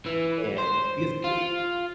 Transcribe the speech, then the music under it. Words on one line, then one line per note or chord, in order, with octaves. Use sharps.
and because it
E3
C5
F4